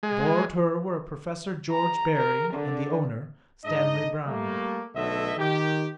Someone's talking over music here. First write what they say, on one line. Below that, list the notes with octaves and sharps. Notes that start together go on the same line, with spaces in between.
Aboard her were a Professor George Berry and the owner, Stanley Browne.
G#3
A#5
A#4
D3
G#2 D4 D#4 D#5
G3 A3 A#3
B1 D3 A3 D#5 E5
D#3 G4